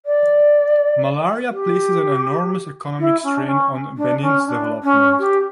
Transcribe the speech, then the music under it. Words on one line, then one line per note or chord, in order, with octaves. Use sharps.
Malaria places an enormous economic strain on Benin’s development.
D5
G4
E4
C#4
D4
C#4
D4
C#4
D4
C#4
G4